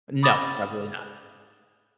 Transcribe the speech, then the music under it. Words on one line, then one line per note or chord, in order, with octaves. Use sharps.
No. Probably
B5 D6 D#6 A6 A#6 E7